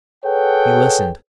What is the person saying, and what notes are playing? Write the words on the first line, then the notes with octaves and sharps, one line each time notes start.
He listened.
G#4 A4 B4 C#5 F#5 G5